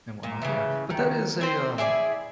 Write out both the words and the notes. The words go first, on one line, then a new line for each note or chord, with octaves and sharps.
and whatnot, yeah, but that is a, um
A#2
C#3 E3
D#3
C4 C5
E4 G#4 C5 D5